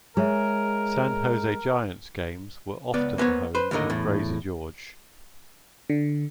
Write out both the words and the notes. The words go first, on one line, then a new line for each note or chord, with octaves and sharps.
San Jose Giants games were often the home of Krazy George.
G#3 G#4 A#4 C#5 E5
C#2 B3 D5
A#3 B3 C5 C#5
B4 C5
D#2 A2 D3 A#4 D#5
E2 A2
D3